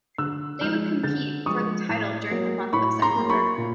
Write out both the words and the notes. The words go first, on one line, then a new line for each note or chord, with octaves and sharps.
They would compete for the title during the month of September.
D3 E6 F#6
F3 G#3 F6 G6
D3 G6 A6
F3 G#3 C#6 D#6
A2
F#3 A#3
A2 B5 C#6
A#5 C6
F#3 A#3
B5 C#6
A#2